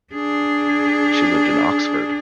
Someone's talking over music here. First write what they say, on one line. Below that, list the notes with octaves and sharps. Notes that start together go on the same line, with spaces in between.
She lived in Oxford.
D4 G#4